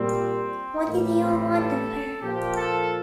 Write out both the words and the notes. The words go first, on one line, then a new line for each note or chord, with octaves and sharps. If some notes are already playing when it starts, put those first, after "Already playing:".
What did they all want of her?
Already playing: A#2 G3 C4
A2 E3 G3 A#3
C4
A4
A#2 F3 G4
A4